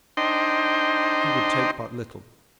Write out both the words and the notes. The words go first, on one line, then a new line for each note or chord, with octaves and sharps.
He would take but little.
D4 D#4 C5 D#5 G5 C6